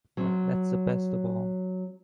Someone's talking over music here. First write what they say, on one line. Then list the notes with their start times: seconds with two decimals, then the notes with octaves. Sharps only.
That's the best of all.
0.17 F#3 C4